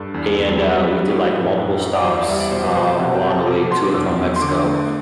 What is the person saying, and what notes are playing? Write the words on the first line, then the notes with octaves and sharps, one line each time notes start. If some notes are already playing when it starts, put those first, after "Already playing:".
and, uh, we did, like, multiple stops, um, along the way to and from Mexico,
Already playing: G2 A4
E2
E2
A4
G3 B4
G3
A2
A2
F#2
F#2
D5
E2 C5
D5
G3 E5
D5
B2 C5
B4
B2 C5
E5
C3 F#5
G5
C3
A5
B2 D6
B2 C6
D6
E2 E6
E2
C6
D3 D6
A3